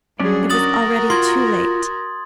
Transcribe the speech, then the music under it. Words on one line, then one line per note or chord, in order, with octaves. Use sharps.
It was already too late.
F#3 G3 C#4 D4 G#4 D5
F#4 A#4 D#6 A6 F#7
F4 C6 G#6